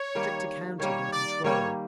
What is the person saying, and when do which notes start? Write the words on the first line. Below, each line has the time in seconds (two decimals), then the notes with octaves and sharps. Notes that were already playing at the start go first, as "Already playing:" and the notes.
Strict accounting and control!
Already playing: C#5
0.15 D#3 G3 A#3
0.79 D#3 G3 A#3 C#5
1.12 D5
1.44 D#3 G3 A#3 C#5